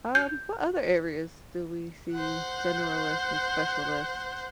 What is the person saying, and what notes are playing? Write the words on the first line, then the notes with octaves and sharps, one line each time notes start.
Um, what other areas do we see generalists and specialists?
G6
C5 F#5